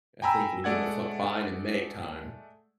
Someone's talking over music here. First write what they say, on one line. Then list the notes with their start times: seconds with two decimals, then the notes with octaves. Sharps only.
I think we need to fi find and make time.
0.22 G5 G#5 A#5 B5 E6
0.64 G#3 A3 D5 F#5 G#6